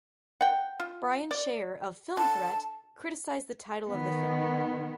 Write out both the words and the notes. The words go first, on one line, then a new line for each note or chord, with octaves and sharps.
Brian Shaer of "Film Threat" criticized the title of the film.
F#5 G5
F4
D5
D3 A5
D#3 B3